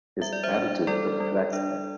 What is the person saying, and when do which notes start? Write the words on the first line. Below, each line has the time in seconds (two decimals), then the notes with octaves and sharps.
His attitude perplexed me.
0.21 G3 E5
0.33 D5
0.43 C5 E5
0.54 D4
0.87 G3 A4 D5
1.20 G3
1.53 D4